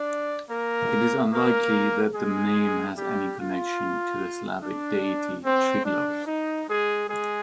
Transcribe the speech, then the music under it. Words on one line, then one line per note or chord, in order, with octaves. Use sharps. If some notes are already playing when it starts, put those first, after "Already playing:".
It is unlikely that the name has any connection to the Slavic deity Triglav.
Already playing: D4 D5
A#3 A#4
A#3 A#4
G#3 G#4
G3 G4
F4
D4
C4
D4
D#4
G#3 G#4
G#3 G#4